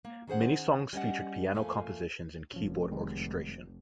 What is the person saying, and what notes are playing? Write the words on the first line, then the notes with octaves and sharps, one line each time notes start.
Many songs featured piano compositions and keyboard orchestration.
A#3
D#3 C#4 G#4 C5 F#5
G3 C#4 D#5 F#5
F2 F3 A3 A#3 F5 G#5
F1 F3 C#4
D#3 G3 G#3